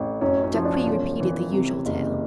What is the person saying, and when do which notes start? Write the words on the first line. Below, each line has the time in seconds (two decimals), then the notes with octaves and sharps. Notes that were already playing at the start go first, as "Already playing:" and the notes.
Jacques repeated the usual tale.
Already playing: A1
0.21 F#2 C#4
0.44 C#4
0.54 F3
0.65 D4
0.87 E1 C#4
1.20 E3
1.53 C3
1.86 F#1